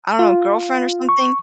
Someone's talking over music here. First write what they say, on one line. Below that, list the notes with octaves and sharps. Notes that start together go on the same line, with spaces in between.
I don't know, girlfriend or something?
F4
C#6